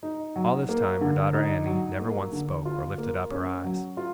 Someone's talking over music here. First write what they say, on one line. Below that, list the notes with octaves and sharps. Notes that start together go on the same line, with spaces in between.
All this time, her daughter Annie never once spoke, or lifted up her eyes.
D#4
F#3
A#3
D3
D#4
F#3
A#3
D3
F4
A#3
C#4
F#3
F4